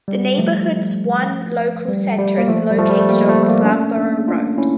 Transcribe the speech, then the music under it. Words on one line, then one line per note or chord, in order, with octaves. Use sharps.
The neighbourhood's one local centre is located on Flamborough Road.
G3
F3 A3
G3
G3
A#3
F3 A3
G3
F3 A3
G3
A3
G3 A#3
F3 A3
A3
G3 A#3
D4
A3 C#4
A#3 D4
D4 F4
C#4 E4